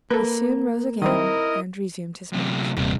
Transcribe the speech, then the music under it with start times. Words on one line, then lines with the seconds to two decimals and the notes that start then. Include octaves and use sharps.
He soon rose again and resumed his march.
0.10 A#3 A4 B4
1.02 D#3 G3 C4 E4 A#4 D#5
2.33 F#2 C3
2.77 D#1 G2 C3